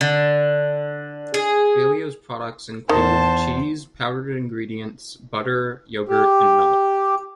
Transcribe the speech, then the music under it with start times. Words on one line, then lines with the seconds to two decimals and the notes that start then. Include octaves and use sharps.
Valio's products include cheese, powdered ingredients, butter, yogurt and milk.
0.01 D3
1.34 G#4
2.89 E2 D#3 C5 A5
6.09 G4